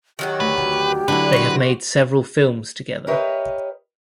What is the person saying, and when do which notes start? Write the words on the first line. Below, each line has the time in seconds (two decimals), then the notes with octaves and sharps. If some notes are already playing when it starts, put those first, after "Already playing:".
They have made several films together.
0.19 D#3 F#3 F#4 G4
0.40 D2 B4
1.08 D3 F#3 D4 E4 B4
1.33 C4 F#4
3.07 G4 A#4 B4 C#5 D#5 E5